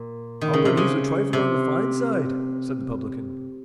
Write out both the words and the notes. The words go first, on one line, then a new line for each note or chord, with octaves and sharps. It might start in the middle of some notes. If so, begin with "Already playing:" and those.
"Happen he's a trifle on the fine side," said the publican.
Already playing: A#2
D#3
C#3
C3
C#3
C3